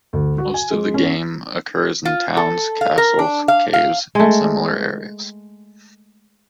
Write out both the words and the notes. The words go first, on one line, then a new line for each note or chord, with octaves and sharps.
Most of the game occurs in towns, castles, caves, and similar areas.
D2
F#4
G#5
G#3
C#4
F4
A4
F5
A#4
D4
F5
F5
G#3 A3